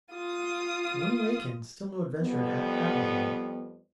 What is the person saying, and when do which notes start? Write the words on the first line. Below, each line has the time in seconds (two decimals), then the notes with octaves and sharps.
But when he awakened still no adventure had happened to him.
0.12 F4 D#6
2.21 F2 G3 B3